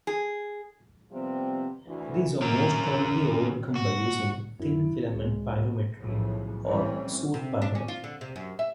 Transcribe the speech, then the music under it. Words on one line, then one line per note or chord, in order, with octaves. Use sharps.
These are most commonly overcome by using thin filament pyrometry or soot pyrometry.
G#4
C3 F3 G3 B3 C4
D2 E3
C#4 A#4
F#4
F#2 E4
C#2 G#3
B1 A2 C#3 E3 F3
E3 G3 A3 C4 C#4
C3
D4
C#4
F4
D3
C3
F#2
E5